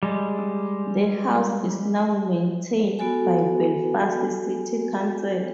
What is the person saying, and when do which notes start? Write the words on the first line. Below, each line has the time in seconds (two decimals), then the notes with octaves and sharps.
The house is now maintained by Belfast City Council.
0.03 G3 G#3
2.99 B3 F#4 A4 G#5